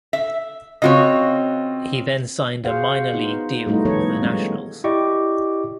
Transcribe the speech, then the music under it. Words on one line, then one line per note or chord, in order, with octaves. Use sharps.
He then signed a minor league deal with the Nationals.
E5
C#3 C4 F4 F#4 C#5 D#5
F#4 G#4 C5 F5 F#5
B3 D#4 F4 C5
G3 A3 D#4 E4 F#4
D#3 F3 A#3 B3 A4 C#5
G3 G#3 B3 C#4
E4 G4 D5 D#5 C#6 D6